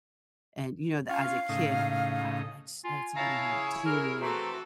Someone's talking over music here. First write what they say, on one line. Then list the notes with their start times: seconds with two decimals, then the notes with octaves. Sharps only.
And, you know, tha as a kid, I'm like, "Wow, that's that's what I wanna do, and"
1.10 C#4 F4 F5
1.49 A2 C#3 D#4
2.84 F4 G#5
3.16 E4 C#5 F5 A5 A#5
3.48 C#3
3.86 G#4 A#4
4.21 E3 A3 C4 F#4 A4 A#5